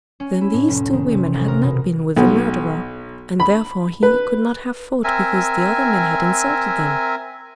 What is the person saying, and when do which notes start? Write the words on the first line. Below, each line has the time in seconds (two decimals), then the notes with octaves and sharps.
Then these two women had not been with the murderer, and therefore he could not have fought because the other men had insulted them.
0.20 C#4
0.41 E4
0.53 A2
0.68 F1
0.93 D#3
1.11 C3
1.34 A1
1.48 A#4
1.63 B2
2.17 B1
3.40 B5
4.03 B4
5.04 C4 A#4 E5 G#5